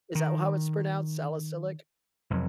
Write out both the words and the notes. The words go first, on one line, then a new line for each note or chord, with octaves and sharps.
Is that how it's pronounced, salicylic?
D#3
F1 F2 F#3